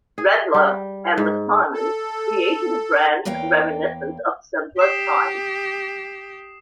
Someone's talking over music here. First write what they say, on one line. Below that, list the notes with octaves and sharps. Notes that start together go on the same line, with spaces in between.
Redler and the Simons created a brand reminiscent of simpler times.
G#4
G3
G#2
A4
E2 A#3 C#5 F5 G5
G4 D#6 C7 E7